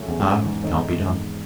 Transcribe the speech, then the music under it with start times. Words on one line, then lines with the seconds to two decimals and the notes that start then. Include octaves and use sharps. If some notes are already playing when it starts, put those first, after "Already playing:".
Now, it can't be done.
Already playing: C#3 F#3 A3 C#4 E4
0.08 E2
0.20 G#2
0.26 F#2
0.44 E2 G#2
0.63 D#3 A3 C4 D#4